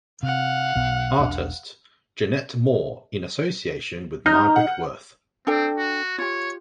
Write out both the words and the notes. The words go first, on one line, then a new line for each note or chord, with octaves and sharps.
Artist: Janette Moore in association with Margaret Worth.
C3 F5 F#5
B1 B2
E1 B1 D4
D#4 A#5 F6 G6
F#5
C4 D4 A4 G5
F#4
F4 G4 C#5